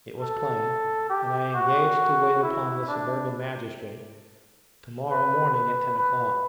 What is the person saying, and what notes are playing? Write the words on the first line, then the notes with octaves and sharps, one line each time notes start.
It was plain, and I engaged to wait upon the suburban Magistrate to-morrow morning at ten o'clock.
A4
G4
F#4
E4
D4
B4
B4
B4